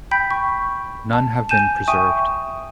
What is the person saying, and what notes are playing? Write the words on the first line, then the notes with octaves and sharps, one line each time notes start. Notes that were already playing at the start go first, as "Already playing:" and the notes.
None have been preserved.
G5 B5 G6 B6
C#6
A5
G#5 G6 D#7 E7
E5 G5 C#6 D#6 D#7